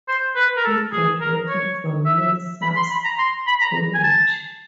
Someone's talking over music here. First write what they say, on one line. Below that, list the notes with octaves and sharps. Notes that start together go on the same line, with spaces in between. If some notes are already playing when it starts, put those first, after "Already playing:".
He graduated from Millsaps College.
C5
B4
A#4
A4
G#4
A#4
C#5
E5
E5
B5
C6
B5
A#5
C6
B5
A#5
G#5
A5